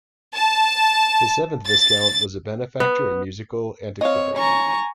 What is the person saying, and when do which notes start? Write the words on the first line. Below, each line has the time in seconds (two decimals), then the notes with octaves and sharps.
The seventh Viscount was a benefactor and musical antiquarian.
0.35 A5
1.66 A6
2.80 B3
4.01 C4 C#5 D#5 F5
4.36 C#4 G#5 A#5 C#6